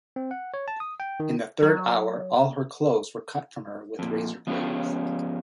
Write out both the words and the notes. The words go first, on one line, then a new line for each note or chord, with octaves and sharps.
In the third hour all her clothes were cut from her with razor blades.
C4
F#5
C#5
A5
D#6
G5
D#3
F#3
F2 A#2
F3 B3 C#4 F4 G4 B4